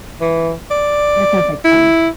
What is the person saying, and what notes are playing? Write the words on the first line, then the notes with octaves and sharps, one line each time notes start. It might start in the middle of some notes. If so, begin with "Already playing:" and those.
that sounds like fun.
E3
D5
E4